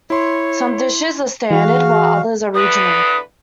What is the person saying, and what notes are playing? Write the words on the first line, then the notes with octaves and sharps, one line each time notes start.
Some dishes are standard while others are regional.
E4 C#5 C6
E3 F#4 G#4 F5
E2 D3 B4 D#6